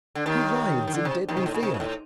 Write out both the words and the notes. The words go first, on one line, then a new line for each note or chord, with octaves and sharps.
He writhes in deadly fear.
D3
D#2 D#3
D#3
D3
C3
D#2 D#3
C3
A2
A#2
C3
A#2
A2